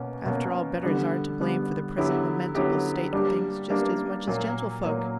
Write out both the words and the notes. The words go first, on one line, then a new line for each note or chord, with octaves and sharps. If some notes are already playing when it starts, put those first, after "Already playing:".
After all, bedders are to blame for the present lamentable state of things, just as much as gentlefolk.
Already playing: B2 A#3 C#4
B2 A#3 C#4
D3 G3 B3
D3 G3 B3
D3 F#3 B3 E4 G4
D3 F#3 B3 E4 G4
G3 A#3 D4 G4
G3 A#3 D4 G4
A#2 F#3 A#3
A#2 F#3 A#3